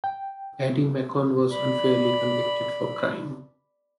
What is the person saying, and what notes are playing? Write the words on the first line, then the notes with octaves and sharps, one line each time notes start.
Eddie Macon was unfairly convicted for crime.
G5
D5 B5